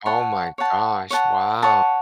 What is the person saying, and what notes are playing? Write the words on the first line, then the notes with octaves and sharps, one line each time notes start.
Oh my gosh. Wow.
C#5 F#5 A5
C#5 F#5 A5
C#5 F#5 A5
C#5 F#5 A5